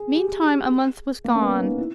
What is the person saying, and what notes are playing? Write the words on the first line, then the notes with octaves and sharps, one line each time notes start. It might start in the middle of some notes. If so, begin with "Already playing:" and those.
Meantime a month was gone.
Already playing: G#4
G4
A#3
C#4
B3
D#4
E4